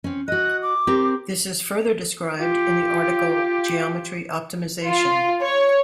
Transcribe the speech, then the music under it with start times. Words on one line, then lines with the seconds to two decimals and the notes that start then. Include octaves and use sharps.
This is further described in the article geometry optimization.
0.04 C4 C#4
0.28 F#4 D#5 F#6
0.63 D6
0.87 C4 G4 A#4
2.39 F4 G4
4.87 F4
5.43 C#5